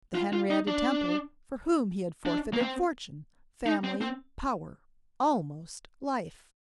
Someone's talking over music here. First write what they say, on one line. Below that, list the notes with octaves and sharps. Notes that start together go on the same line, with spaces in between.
The Henrietta Temple for whom he had forfeited fortune, family, power, almost life!
F4
F4
D#4
D4
D4
A#3
C4
D#4
C4
C4